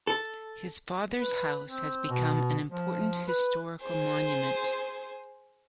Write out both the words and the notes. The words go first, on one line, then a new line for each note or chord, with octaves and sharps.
His father's house has become an important historical monument.
A4
B4
C4
B2
F3
B4
G#4 C5